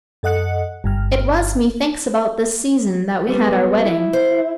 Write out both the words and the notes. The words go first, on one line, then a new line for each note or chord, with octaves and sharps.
It was, methinks about this season that we had our wedding.'
F#2 A4 D#5 F#5 F#6 C#7
G1 G2 F6
G3 B3
E4
C5